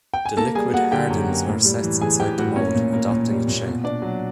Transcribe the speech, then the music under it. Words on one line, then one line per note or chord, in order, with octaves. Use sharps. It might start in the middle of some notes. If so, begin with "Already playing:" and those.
The liquid hardens or sets inside the mold, adopting its shape.
G5
G#5
A#3 A4 A5
G3 G#4 G#5
A#3 F#4 F#5
D3 G4 G5
F#2
A#3
A2
G3
E3
E3 G#4 G#5
E3 G4 G5
A2 F#4 F#5
A#3 C#4 C#5
A#2
A#3
A#2
G3
A#2
B2
B2 D4 D5
F#3